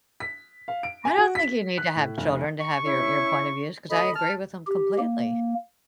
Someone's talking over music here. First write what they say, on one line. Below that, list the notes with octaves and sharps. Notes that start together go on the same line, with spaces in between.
I don't think you need to have children to have your your point of views 'cause I agree with 'em completely.
B6
F5
D7
G#5
F#4
B6
F#6
A2
F1
C#6
C#4 E4
D2 D#5 B5
A5 F6
G4
A#3